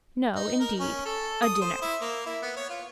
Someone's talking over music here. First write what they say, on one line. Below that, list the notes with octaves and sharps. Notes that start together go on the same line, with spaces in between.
No, indeed--a dinner.
D#4
A#4
C#4
A4
D#6
C5
E4
A#3
E4
B3
C#5
F4